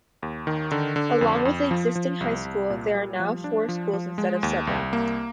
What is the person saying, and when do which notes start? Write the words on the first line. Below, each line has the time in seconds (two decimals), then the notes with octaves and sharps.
Along with the existing High School, there are now four schools instead of seven.
0.23 D#2
0.47 D#3
0.71 D3
0.96 D3
1.21 F2
1.45 F2
1.71 F3
1.95 F3
2.21 C2
2.45 C2
2.70 A#2
2.95 G3
3.20 F3
3.44 D4
3.69 F3
3.93 F3
4.18 G#3
4.43 D#2
4.67 C2
4.93 A#3